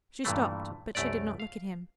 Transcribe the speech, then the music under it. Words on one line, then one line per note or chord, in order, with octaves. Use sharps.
She stopped, but she did not look at him.
G2 A#2 E3 A3
C2 F#2 A3 A#4 D5
F5